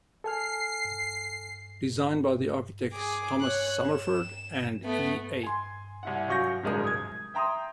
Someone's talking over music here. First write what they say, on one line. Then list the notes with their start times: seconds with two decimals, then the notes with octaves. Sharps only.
Designed by the architects Thomas Somerford and E. A.
0.24 A4 G#5 F6 C7
2.92 G#4 D6
3.40 C#5 F#6
3.87 E7
4.84 A3 B3
5.43 G#5 C6
6.03 C2 E4 F#5
6.28 F#2 F4 F#4 C#6 G6 A#6
6.64 D1 C2 F2 G#3 D4 A#4
6.84 D#6 G#6
7.34 E5 G5 A#5 C6 D#6